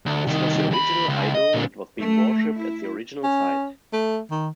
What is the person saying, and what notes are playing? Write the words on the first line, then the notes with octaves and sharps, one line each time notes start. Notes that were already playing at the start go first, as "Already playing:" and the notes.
This was the original idol that was being worshipped at the original site.
D2
C2 D#3
D#2 B5
C#2
D#5
A#2 D3
A3
E4
C#4
A3
D#3